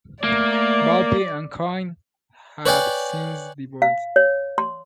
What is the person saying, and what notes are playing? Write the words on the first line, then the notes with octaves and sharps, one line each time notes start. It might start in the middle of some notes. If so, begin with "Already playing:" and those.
Valpy and Coyne have since divorced.
A3 A#3 D5
B4 C#5 D5 G5 G#5
F5
C#5
C6